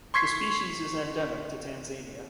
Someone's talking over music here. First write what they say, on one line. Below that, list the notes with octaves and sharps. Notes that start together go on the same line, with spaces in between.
The species is endemic to Tanzania.
C6 C#6 G#6 B6 C7